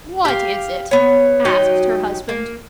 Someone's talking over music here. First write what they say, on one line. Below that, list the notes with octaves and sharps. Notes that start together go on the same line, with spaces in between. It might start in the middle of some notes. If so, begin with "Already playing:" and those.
"What is it?" asked her husband.
G4 F5
B3 C#5
F#3 D#4 G4 D#5
A#3